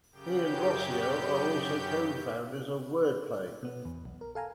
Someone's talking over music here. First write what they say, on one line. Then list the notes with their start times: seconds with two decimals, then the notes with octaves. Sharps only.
He and Rossio are also co-founders of Wordplay.
0.12 F#2 C#3 G4 G6
3.63 B2 B3
3.85 E2
4.05 B1
4.21 A#4
4.35 A4 F5 G#5 A#5